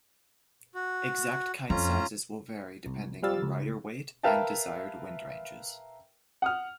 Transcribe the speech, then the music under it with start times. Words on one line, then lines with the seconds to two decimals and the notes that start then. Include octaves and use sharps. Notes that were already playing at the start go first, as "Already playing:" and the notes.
Exact kite sizes will vary depending on rider weight and desired wind ranges.
0.75 F#4
1.70 F2 C#4 F4 A#5
2.86 C2
3.23 F3 G3 F5 E6 A6
3.42 C#2
4.23 A#4 B4 E5 F5 G5 A5
6.42 F#5 D#6 F6